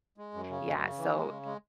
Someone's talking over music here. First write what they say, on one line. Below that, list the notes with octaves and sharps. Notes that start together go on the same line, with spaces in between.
Yeah, so
G#3
F#2
C#3
F#2
C#3
E3
G#3
C#3
G#3